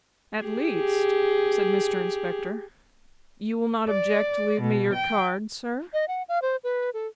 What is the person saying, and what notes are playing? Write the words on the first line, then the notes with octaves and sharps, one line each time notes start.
'At least,' said Mr Inspector, 'you will not object to leave me your card, sir?'
G4 G#4
D5
B2
G5
D#5
F#5
F5
C5
B4
A4